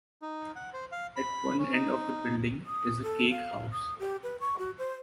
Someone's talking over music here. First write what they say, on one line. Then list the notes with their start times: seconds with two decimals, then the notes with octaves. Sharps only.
At one end of the building is a cake-house.
0.22 D#4
0.56 F#5
0.73 C5
0.92 F5
1.16 B5
1.59 C#4
1.73 D#4
2.66 D#6
3.03 A4
3.30 F5
3.72 D#6
3.99 G4
4.23 B4
4.41 C#6
4.59 F#4
4.78 C5